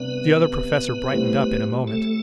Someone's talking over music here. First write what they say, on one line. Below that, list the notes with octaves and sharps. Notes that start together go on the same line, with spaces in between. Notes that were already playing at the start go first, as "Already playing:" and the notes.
The Other Professor brightened up in a moment.
Already playing: C3 G3 B3 D4 B4
A2 G3 C4
A3 A4